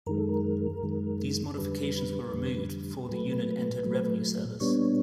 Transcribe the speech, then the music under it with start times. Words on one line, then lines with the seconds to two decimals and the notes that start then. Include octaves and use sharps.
These modifications were removed before the unit entered revenue service.
0.07 F#2 D#3 G#3 A#4
0.18 A4
0.29 A#4
0.83 F#2 D#3 G#3
1.58 F2 D3 G3 B4
2.33 F2 D3 G3
3.09 A#2 F#3 A3 B4
3.84 A#2 F#3 A3
4.60 A#2 G3 B3 D4 C#5